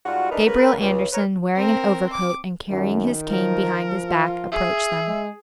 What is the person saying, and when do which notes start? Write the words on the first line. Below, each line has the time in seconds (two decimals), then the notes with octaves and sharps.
Gabriel Andersen, wearing an overcoat and carrying his cane behind his back, approached them.
0.05 G#2 G3 F4 F#4
0.31 E3 G#3 D4 D#4 A#4 B4
0.46 C#3 A#4 B4
0.80 C#2
1.12 A#4 B4 C#5
1.56 C4 A#4
2.13 D6
2.71 F#2 D#3
3.30 F3 A#4
4.09 F4
4.52 G#4 E5
5.07 G#3